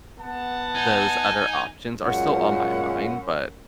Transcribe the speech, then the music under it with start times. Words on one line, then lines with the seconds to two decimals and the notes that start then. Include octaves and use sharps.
those other options are still on my mind, but
0.19 B3 F#5 A5
0.75 D#4 G#5
2.03 F#2 A#2 F#3 G#3 F4 F#5